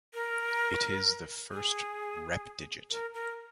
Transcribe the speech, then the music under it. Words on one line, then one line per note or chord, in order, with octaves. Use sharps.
It is the first repdigit.
A#4
G#4
A#4
A#4